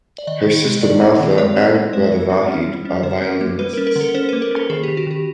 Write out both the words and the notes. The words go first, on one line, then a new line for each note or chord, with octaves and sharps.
Her sister Martha and brother Vahid are violinists.
D5
D#3 D#5
D#3
G#3
D#3 D5
C4
D#3
G#3 C#5
C4
C4
G#3 C5
C4
C4
C#4
G3
C#4
D3 C5
C#4
A#3
G3 B4
C#4 A#4
A#4
D3
A4
C#4 C5
A#3 B4
A#4
C#4
A4
D#3 G#4
D#3 G4
F#4
D#3 G4